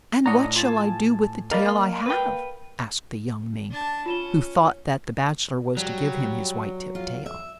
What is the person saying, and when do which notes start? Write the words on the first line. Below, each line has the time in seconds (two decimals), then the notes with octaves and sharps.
"And what shall I do with the tail I have?" asked the young Mink, who thought that the Bachelor was to give him his white-tipped tail.
0.26 A2 D4 C#5 D#5 F#5 A#5
0.56 F4 G#5 A5
1.51 A#3 A#4 D5 D#5 F5 B5
2.06 B4 G5
3.71 D4 A5
4.06 C#4 F4 E7 G7
5.77 F#3 G3
6.95 F4
7.26 E5